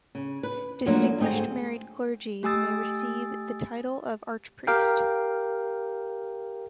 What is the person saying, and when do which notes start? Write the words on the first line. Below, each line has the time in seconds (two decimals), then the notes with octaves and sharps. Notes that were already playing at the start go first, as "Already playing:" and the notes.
Distinguished married clergy may receive the title of archpriest.
0.15 C#3
0.43 B4
0.86 F3 F#3 A3 A#3 D4
1.18 D2 G#2 A3 C4 G#4
2.43 A3 G4 G#5 D#6 E6 A6
4.67 G4 A#4 F5 G5